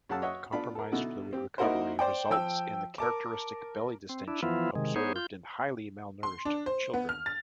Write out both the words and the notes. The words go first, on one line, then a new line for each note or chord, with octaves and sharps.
Compromised fluid recovery results in the characteristic belly distension observed in highly malnourished children.
F#2 G#4 F#5 A5 E6
F#4 C#5 D#5 E5 F#5
B3 D4 F4 A4 B5
A4 A#4
B2 D3 D#4 E4 F#4
C4 G4
A#3 D#4 E4 F#4 A#4 C5
C5 D5 G5
F3 G5 E6
A#4 A5 D6
C4
D4 E4
E3 F3 B3 E4 F4
C3 D#3 G#3
B3 D#4 G#4 C5 C#5
F4 G6
C6
D4
C5
B3
F6
A6